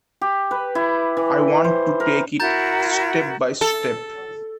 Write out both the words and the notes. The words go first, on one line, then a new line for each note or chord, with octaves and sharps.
I want to take it step by step.
G4
B4
E4
E3
C5
A#4
E4 F#4 A#4 A#5 G6 A6
A4